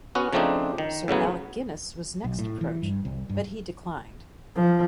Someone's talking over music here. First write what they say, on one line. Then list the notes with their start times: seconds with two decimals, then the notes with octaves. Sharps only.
Sir Alec Guinness was next approached but he declined.
0.15 B3 C#4 F#4
0.33 C#3 F3 A3 C4 D4 D#4
0.78 D#3
1.08 A2 C#3 F#3 B3
2.24 B1
2.39 A2
2.61 E3
2.82 G2
3.05 C2
3.29 G2
4.56 F3